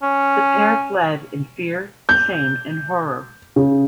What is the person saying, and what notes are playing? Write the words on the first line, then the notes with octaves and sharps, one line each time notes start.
The pair fled in fear, shame, and horror.
C#4
G6
C#3